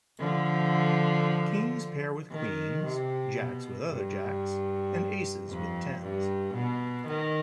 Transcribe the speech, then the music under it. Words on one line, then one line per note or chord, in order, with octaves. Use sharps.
Kings pair with queens, jacks with other jacks, and aces with tens.
D3 F3
D#3
C3
B2
G2
F2
G2
B2
D#3